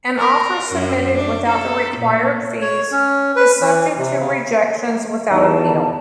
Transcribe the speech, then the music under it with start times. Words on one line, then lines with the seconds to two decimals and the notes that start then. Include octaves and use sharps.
An Offer submitted without the required fees is subject to rejections without appeal.
0.18 A#4
0.74 F#2
1.15 D4
1.49 A4
1.97 A#2
2.61 C#5
2.92 C#4
3.36 B4
3.61 E3
3.98 C3
4.19 C#3
5.31 E2 D#4 D5 D#5 A5